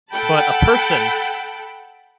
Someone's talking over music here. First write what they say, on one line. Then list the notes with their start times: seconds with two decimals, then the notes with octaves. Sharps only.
but a person
0.11 A4 F#5 G5 A5 B5